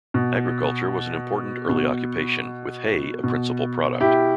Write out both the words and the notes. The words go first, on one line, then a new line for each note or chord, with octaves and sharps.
Agriculture was an important early occupation, with hay a principal product.
B2
B2
B2
E4 G4